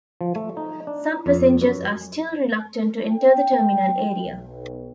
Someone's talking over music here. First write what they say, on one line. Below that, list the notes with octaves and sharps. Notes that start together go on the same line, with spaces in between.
Some passengers are still reluctant to enter the terminal area.
F3
A3
D#4
D4
F2
F#2
G5
B1